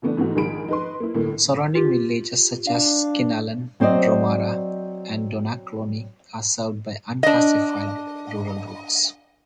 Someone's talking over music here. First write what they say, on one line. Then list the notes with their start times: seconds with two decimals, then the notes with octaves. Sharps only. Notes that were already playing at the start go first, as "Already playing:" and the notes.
Surrounding villages, such as Kinallen, Dromara and Donaghcloney, are served by unclassified rural routes.
0.02 C#3 E3 A3 B3 D4
0.17 G#2 E3 A3 B3 F#4
0.35 A#1 G#2 D#3 G#4 B5 D7
0.68 D#4 B4 C6
1.00 A#3 E4
1.14 G1 A2 A3 A#3
1.75 F4 G4
2.67 D4 F5
3.80 F#3 C4 C5 D5 D#5
7.23 D4 D#5